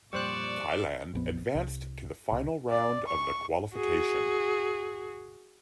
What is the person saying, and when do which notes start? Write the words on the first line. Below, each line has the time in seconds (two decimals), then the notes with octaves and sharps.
Thailand advanced to the final round of the qualification.
0.13 F2 A#2 G3 C5 D5 C#6 E6 F#6
1.14 A#1 F2 B3
1.55 C2
2.32 C2
2.69 D5
3.07 C#6
3.75 F#4 G#4